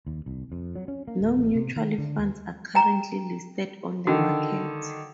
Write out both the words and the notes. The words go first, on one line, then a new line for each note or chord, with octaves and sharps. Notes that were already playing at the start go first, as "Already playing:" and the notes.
No mutual funds are currently listed on the market.
D#2
C2
F2
F#3
C#4
A#3
D1
A1
C3
D#3
D3
D#2
G5 A#5
D3 D#3 F#4